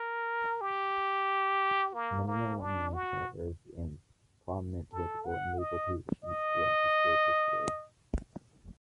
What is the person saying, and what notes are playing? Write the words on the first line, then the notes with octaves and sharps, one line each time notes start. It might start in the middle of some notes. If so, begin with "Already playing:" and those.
Many alumni served in prominent political and legal positions throughout the school's history.
Already playing: A#4
G4
A#3
A#3
D4
F#4
A4
F#5
D#5
D#5